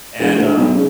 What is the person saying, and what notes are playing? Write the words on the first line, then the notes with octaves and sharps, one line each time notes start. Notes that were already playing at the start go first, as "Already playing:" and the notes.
and, uh,
E1
D2
B1
C#3